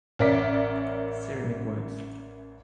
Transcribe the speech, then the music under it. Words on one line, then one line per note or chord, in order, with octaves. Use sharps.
Ceramic works.
A1 C#4 A#4 D5 E5 B6